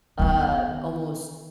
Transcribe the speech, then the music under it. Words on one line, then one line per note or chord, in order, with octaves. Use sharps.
uh, almost,
D#3 B3